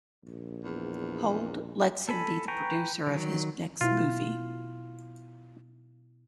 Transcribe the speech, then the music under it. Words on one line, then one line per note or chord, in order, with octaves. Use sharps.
Hold lets him be the producer of his next movie.
A#1
E2
A4 G#5 B5
B4 G5 G#5 A#5 C#6
D#3 F#3
B2 E4 F4